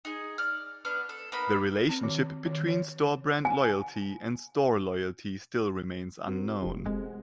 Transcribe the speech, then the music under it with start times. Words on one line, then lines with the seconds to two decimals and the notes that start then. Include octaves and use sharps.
The relationship between store brand loyalty and store loyalty still remains unknown.
0.05 D#4 G#4
0.38 D5 F6
0.85 B3 D4 F6
1.09 A4
1.32 A#3 B3 D#4 B5
1.89 C4
2.03 D#3
2.46 D#3
2.67 C#5
3.45 G#5
6.27 C4 F#4 A#4
6.62 F1 G4
6.86 G#3 C4 G#4 A4
7.06 F#5